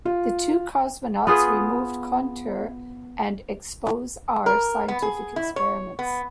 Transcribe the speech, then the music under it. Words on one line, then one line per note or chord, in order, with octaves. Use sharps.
The two cosmonauts removed Kontur and Expose-R scientific experiments.
F4
B3 F4 G#4 B4
A#4
B3
G#4
E4
C#5
B3